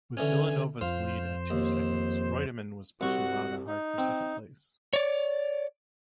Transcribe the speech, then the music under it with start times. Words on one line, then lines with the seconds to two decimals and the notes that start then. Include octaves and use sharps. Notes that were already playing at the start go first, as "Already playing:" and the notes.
With Villeneuve's lead at two seconds, Reutemann was pushing Lauda hard for second place.
0.17 D3 E3 C#4 G#5
0.81 F2 F4 C5
1.50 D#2
3.01 C2 F#4 F#5 C#6
3.67 D#4
3.98 C4
4.93 C#5 D5